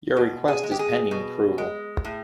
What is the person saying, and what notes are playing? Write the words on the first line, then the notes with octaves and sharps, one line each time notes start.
Your request is pending approval.
B2
G#4
G#3
G4
G#4
B2
G#3
A2